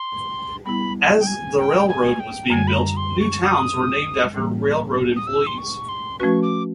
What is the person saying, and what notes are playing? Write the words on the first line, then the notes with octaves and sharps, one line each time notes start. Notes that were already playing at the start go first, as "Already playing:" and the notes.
As the railroad was being built, new towns were named after railroad employees.
Already playing: C6
G3 B3 E4 B5
G5
G#5
G5
G#5
G5
F#2 D3 G3 G#5
B5
A#5
C6
C#6
D#6
A2 E3 G3 A#3
D#6
E6
C6
C#6
C6
F3 A3 C#4 F#4 B4 C#6
D6